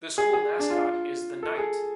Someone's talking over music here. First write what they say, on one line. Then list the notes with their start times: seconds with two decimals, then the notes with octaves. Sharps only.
The school mascot is the knight.
0.18 G#4
0.34 G#4
0.59 D4
0.70 F4
1.43 A4
1.58 G#4